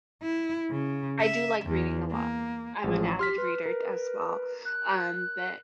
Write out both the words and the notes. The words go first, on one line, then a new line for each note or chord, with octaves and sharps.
I do like reading a lot. I'm an avid reader d as well, um, but
E4
C#3
E5
E2
A#3
A1 F3
G4 C6 F6 B6
B4
A#4
F#6